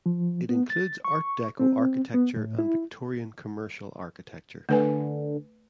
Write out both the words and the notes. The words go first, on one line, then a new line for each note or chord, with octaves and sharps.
It includes Art Deco architecture and Victorian commercial architecture.
F3
B3
A6
C#6
C4
B3
A2
E4
D3 A3 B4 G#5